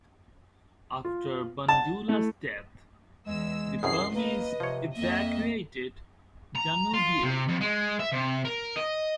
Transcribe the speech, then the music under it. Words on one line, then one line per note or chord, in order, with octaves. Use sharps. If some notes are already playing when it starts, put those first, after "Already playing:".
After Bandula's death, the Burmese evacuated Danubyu.
F4
F#5 A5
A3 E4
E2 G#3 E6
C2 F#2 B2 G#4 C7
A#3 B4 D#5
C3 F3 C#5
F2 A#3 D#5 E5
A#5
F4
C3
F2
G#3
E5
C3
A#4
D#5